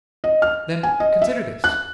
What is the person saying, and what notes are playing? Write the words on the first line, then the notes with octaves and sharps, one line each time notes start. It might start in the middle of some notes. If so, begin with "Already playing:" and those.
Then consider this.
D#5
F6
G#5
D#5
E5
F#6